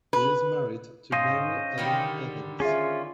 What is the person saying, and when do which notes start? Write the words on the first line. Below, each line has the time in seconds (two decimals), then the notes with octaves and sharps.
He is married to Mary Ellen Evans.
0.13 B4
1.12 G#2 C#4 C5 D#5 F5
1.78 D3 D#3 G3
2.60 C#4 F4 G#4 E5